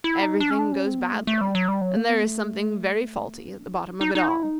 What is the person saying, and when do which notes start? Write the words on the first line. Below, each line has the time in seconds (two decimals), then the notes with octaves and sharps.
Every thing goes badly, and there is something very faulty at the bottom of it all.
0.04 E4
0.22 D#4
0.40 D4
0.50 C#4
0.59 D4
0.73 C#4
0.86 C4
1.00 B3
1.13 A3
1.27 A3
1.41 G3
1.55 F#3
1.68 G3
1.81 F#3
1.96 A#3
2.09 B3
2.23 A3
3.33 A#3
3.46 C4
3.60 D4
3.73 E4
3.87 D#4
4.01 D#4
4.15 D#4
4.28 E4
4.43 D#4